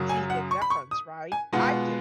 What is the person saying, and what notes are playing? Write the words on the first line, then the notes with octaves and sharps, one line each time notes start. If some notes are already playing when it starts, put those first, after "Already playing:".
see the difference, right? I didn't.
Already playing: F#2 C#3 F#3
G#5
F#5
C#6
B5
C#6
D#6
G#5
B2 G#3 B3 F4 F#5